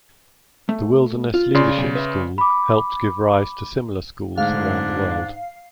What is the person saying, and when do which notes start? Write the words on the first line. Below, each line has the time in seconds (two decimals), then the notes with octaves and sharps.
The Wilderness Leadership School helped give rise to similar schools around the world.
0.69 A3
1.34 F4
1.55 C#3 D5 C6
1.78 B1
1.95 B4 E5
2.38 B5 D6
4.38 G#2 D3 G#3 A3 D4 F5